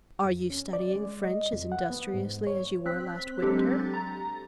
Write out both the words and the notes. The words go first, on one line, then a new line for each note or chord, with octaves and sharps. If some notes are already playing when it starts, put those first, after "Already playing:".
'Are you studying French as industriously as you were last winter?'
F2
C#4
D5
G#3
D#5
F2
F#5
B3
G#2
C#5
C4 F#6 B6
F#3 G#3 C4 D4 G4 A4
A6
A#5